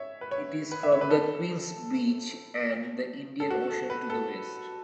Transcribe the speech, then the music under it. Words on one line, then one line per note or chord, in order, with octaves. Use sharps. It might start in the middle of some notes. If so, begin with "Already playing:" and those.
It is from Quinns Beach and the Indian Ocean to the west.
Already playing: C#5 E5
B4
C#5
B4
E5
C#5
B4
A4
A4
F#4
A4
B4
A4